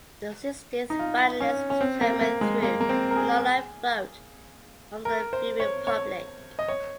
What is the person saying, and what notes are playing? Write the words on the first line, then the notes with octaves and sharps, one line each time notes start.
The sixteenth finalist was determined through an online vote from the viewing public.
D#4
F4
C#4
C#4
C4
A#3
A#3
G#3
A#3
A#3
C4
A#4
G#4
A#4
C5
C#5
C#5
D#5
C#5